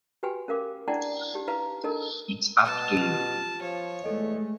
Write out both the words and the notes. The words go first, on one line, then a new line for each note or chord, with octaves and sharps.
It's up to you.
F#4 G4 B4 G5 G#5
C#4 A#4 F5 D6
D4 E4 D5 F#5 G5 A5
D#4 G4
D#4 E4 B4 F5 A#5
D4 D#4 A4 A#4 D#5
B2 A5
F4 G4 F6
F3 C#5
E2 G#3 A3 A4 D#5